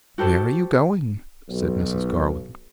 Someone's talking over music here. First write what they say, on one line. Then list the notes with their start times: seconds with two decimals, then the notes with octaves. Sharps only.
'Where are you going?' said Mrs. Garland.
0.18 F#4 G4 A4 C5
1.49 B1